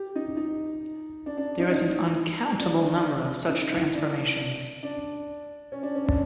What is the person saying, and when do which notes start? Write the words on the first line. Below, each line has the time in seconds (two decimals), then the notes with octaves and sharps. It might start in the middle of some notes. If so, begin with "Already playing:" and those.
There is an uncountable number of such transformations.
Already playing: G4
0.16 D#4
0.37 D#4
1.26 D4
1.37 D4
1.59 D#4
1.71 D#4
2.60 D4
3.49 D#4
3.72 E4
3.94 D4
4.83 D4
5.72 C#4
5.83 D4
5.95 C#4
6.06 D4